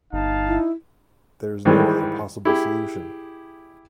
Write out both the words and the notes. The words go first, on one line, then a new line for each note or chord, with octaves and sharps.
There's no other possible solution.
G1 D#4 F5 A5
E4
G#2 D#3 E3 G3 G#3
E4 G4 G#4